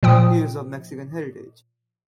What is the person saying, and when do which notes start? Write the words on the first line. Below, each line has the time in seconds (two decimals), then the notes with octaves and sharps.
He is of Mexican heritage.
0.03 A#2 F3 G5 D#6